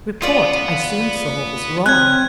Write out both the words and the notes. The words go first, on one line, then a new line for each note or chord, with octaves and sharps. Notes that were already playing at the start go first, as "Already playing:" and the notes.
Report, I soon saw, was wrong.
B3 F4 D5
C4 C#4 F#6 G#6